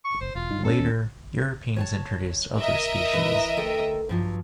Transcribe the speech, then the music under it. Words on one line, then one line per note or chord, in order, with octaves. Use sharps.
Later, Europeans introduced other species.
C#6
F#1 C5
E1 F4
G2 D#4
B3 C#4 A4
D#2
C#5 G#5 A5
A#4 D#5 E5
E3 B4
D2 A4 G5
G2 F3 F#3